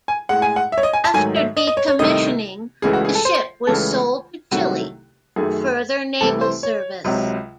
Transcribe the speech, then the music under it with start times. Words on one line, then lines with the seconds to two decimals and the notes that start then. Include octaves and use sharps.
After decommissioning, the ship was sold to Chile for further naval service.
0.08 G#5
0.29 A2 G#3 F#5
0.42 G#5
0.56 F#5
0.72 E5
0.78 C#5
0.83 D#5
0.93 G#5
1.04 A5
1.14 G#2 D#3 F#3 A3 G#5
1.36 E5
1.57 D#5
1.67 D#5
1.77 C#5
1.88 C#5
1.99 C2 C3 D#3 A3 D#5
2.82 C#2 C#3 E3 A3 G#4
2.93 F#4
3.05 G#4
3.15 A4
3.25 C5
3.67 C#2 C#3 E3 A3 A4
4.51 C2 C3 D#3 F#3 A3 F#4
5.36 F#2 D#3 A3 G#4
6.21 C2 C3 E3 A3 A4
6.41 C5
6.63 C#5
7.04 C#2 C3 F#3